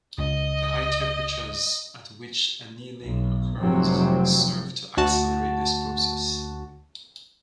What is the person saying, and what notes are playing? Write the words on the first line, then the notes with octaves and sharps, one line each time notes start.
The high temperatures at which annealing occurs serve to accelerate this process.
C#2 D#5
B1
F1 F2 G#2 C3 F#3 C4
D2 F#4 A5